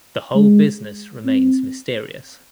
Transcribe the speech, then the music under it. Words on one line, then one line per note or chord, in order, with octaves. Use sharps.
The whole business remains mysterious.
G#3
C4